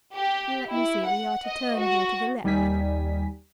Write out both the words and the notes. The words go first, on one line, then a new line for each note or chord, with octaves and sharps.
Let me see;--we are to turn here to the left.
G4
E4
F#5
D#5
F#4
D#2 G3 D#4 G#5 B6